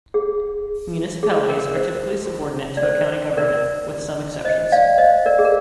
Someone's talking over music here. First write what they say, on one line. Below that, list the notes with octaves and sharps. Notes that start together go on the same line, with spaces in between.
Municipalities are typically subordinate to a county government, with some exceptions.
G#4
G#4
A#4
C5
D5
C5
A#4 D5
C5 D#5
D5 F5
C5 D#5
A#4 D5
G#4
A#4